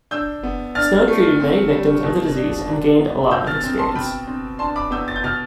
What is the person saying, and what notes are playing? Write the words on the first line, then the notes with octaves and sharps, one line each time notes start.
Snow treated many victims of the disease and gained a lot of experience.
D4 E6 G6
B3
D4 F6 A6
A3
C4
G3
B2
D4
D4
B3
B2 E6 G6
F6 A6
C4
A5 C6
B2 G5 B5
C4
D4 A5 C6
B5 D6
B3 E6 G6
A6
G6
B2 F6 A6